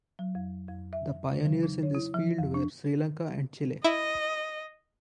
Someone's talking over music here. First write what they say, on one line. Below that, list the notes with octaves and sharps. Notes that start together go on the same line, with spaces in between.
The pioneers in this field were Sri Lanka and Chile.
F#3
F2
F2
E5
C#3
F#3
D#4
C#5
E4
F3
F2
D4
E4 D#5